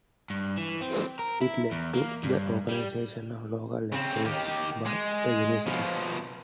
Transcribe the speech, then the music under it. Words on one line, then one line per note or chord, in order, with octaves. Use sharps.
It led to the organisation of local lectures by the universities.
G2
E3
C4
A#4
E4
E2
A#3
G2
G3
C#3 C4
D#3 G4
G#3
B2 F3